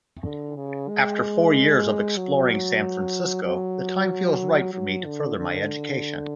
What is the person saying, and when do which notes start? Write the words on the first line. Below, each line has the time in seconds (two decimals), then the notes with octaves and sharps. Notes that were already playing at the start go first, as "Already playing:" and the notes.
After four years of exploring San Francisco, the time feels right for me to further my education.
0.24 D3
0.56 C#3
0.89 G#3
2.16 F#3
3.45 F#3
4.73 F#3
5.05 D3
5.37 D3